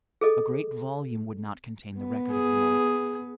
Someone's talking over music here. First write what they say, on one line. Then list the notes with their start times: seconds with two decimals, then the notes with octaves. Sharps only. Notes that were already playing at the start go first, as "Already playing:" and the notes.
A great volume would not contain the record of them all.
0.21 G#4 A4 D#5
1.99 B3
2.31 G#4